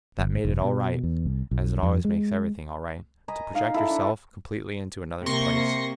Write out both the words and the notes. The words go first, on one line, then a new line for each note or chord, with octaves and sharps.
That made it all right--as it always makes everything all right to project yourself completely into another's place.
G1
E1
B2
E2
C2
B1
F2
G#3
D#5 G#5 A#5 B5
D#4 F5 A#5
E4 A4 A#5
D4
C3 A#3 C6 C#6 A#6